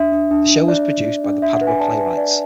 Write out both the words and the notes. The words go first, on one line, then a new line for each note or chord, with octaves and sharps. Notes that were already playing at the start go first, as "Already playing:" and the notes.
The show was produced by the Padua Playwrights.
Already playing: D4 E5
D4
D4
D4
D5
D4
D5
D4
D4 E5
F#5
B4
G#5
D5 A5
B4
D5